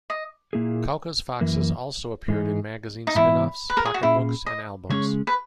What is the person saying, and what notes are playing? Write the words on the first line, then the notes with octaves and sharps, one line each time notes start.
Kauka's foxes also appeared in magazine spin-offs, pocket books and albums.
D#5
A#2 A#3 E4 G#4
F#2 E3 A#3
G#2 E3 G#3 D#4 G#4
D#4
G#2 E3 B3 E4
B4
A#4
G#4
F#4
A#2 A#3 C#4 E4 G#4
D#5
C#3 G#3 C#4 G#4 C#5
B4